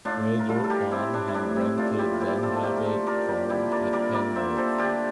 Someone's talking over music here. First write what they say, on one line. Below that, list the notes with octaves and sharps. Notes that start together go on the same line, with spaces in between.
Later on he rented Dunheved farm at Penrith.
A2 D4 F4
A#4
G3 F4 A4
A4
G4 A#4
C4 E4 G4
D4
E4
A2 D4
C4 E4
A#2 D4 F4
E4 G4
F4
F3 E4 G4
G4
F4 A4
A4
A3 G4 A#4
A#4
A4 C5
A#2 A#4 D5
G4 A#4
D3 E4 G4
A#4 D5
G3 A#4 D5
A#4 D5
A#3 C5 E5
A4 C5
D3 G4 A#4